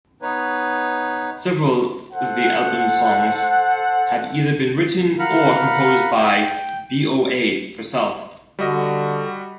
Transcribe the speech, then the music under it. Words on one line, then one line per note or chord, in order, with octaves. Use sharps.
Several of the album's songs have either been written or composed by BoA herself.
B3 D#4 B4 C#5
A4 C5 F#5
A#4 F5 F#5 B5
G5 G6
D3 G3 F#4 D#5